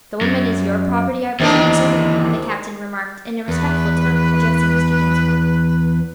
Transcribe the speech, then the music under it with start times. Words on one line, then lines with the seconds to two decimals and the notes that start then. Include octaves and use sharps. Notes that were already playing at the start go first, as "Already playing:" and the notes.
"The woman is your property, I presume, sir?" the captain remarked in a respectful tone, addressing Mr. Dinsmore.
0.21 F#2
1.40 D#2 C3 D#3 E3 D4
3.48 E2 B4